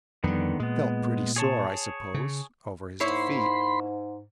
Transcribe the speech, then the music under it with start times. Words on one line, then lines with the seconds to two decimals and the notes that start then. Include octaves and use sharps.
"Felt pretty sore, I suppose, over his defeat."
0.24 F2 D3 D#3 G3 B3
0.60 A#2 G#3 B3
1.36 G#4 C#5 A5
2.14 C#3
3.00 G#2 A#3 E4 C#5 B5 C6